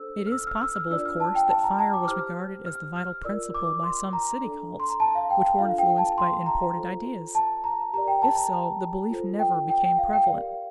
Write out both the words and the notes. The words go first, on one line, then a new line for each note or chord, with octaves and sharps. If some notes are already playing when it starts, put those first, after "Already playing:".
It is possible, of course, that fire was regarded as the vital principle by some city cults, which were influenced by imported ideas. If so, the belief never became prevalent.
Already playing: D4 A4 C5 E6
F6
E6
F6
E6
F6
D4 F4 A#4 D5 E6
F6
A5
G5
A5
A#5
A5
D6
E4 G4 C5 F6
F6
F6
F4 A#4 D5 E6
D6
C6
A#5
D4 A4 D5
C6
A#5
A5
F5
G5
G5
D4 F4 A4 F5
F5
G5
A5
C6
A#5
F4 A4 C5
A5
A#5
G4 A#4 D5 A#5
G5
A5
A#5
F4 A4 C5
G5
G5
G5
F5
G5
G4 A#4 D5 F5